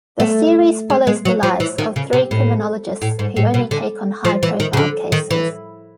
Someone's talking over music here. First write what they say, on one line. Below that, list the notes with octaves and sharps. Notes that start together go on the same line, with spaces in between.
The series follows the lives of three criminologists who only take on high-profile cases.
A3
G#3
G#3
F#3
F3
E3
D#3
C#3
C3
A2
A2
G#2
A2
B2
D3
F3
E3
D#3
C#3
D3
D#3
E3